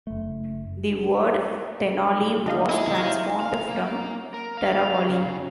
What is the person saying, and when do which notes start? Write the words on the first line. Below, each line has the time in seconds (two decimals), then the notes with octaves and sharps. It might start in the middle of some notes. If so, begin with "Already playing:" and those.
The word "Tenali" was transformed from "Teravali".
0.07 F#1 A3
2.46 D3 D#4 G4 D#5 F5
2.69 E4 D#5 G#5
2.95 C5 C#5 F5
3.40 F5
3.69 A#3
4.34 A#4
4.57 F5
4.72 F5
5.08 C#3